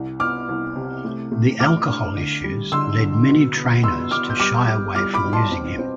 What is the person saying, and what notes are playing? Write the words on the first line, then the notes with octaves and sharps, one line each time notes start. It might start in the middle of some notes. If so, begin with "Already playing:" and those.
The alcohol issues led many trainers to shy away from using him.
Already playing: C2
B3 D6 F6
C2
C3
A3
A3
A3 D6 F6
D4
D3
G3
D3 C6 E6
D3
B2
B3
B3 C6 E6
B3 D6 F6
G6
G3 D6 F6
G3
G3 D6 F6
B5 D6
B2
A5 C6
C4
C4